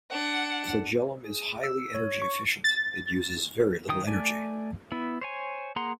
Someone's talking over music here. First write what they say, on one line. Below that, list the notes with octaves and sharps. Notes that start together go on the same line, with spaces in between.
The flagellum is highly energy efficient and uses very little energy.
D4 F#5
G#4
E6
C#5
C#6
A6
D#3 G5 D#6
A3 D5 G#5
B3 E4
C5 C#5 G#5
A#3 G#4 F#5 A#5 C6